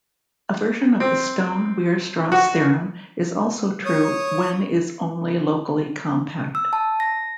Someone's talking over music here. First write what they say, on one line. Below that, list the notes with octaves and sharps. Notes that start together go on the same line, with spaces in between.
A version of the Stone-Weierstrass theorem is also true when is only locally compact.
C4
F#4
C#5 D#6
E6
A5
A#6